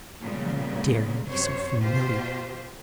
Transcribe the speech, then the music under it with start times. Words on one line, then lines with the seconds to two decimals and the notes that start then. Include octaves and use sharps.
How dare you be so familiar!
0.22 A#2 C#3 F3 G3 G#3 B3
1.26 F#2 C3 C5 C#5
1.80 B2 F4 G4 C5